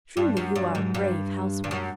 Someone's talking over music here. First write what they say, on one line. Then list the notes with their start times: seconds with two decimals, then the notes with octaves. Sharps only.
Truly, you are a brave housewife!
0.17 G2 G3
0.37 F#2
0.56 G2 F#3
0.75 G#2
0.94 G2
1.64 G2
1.71 F#2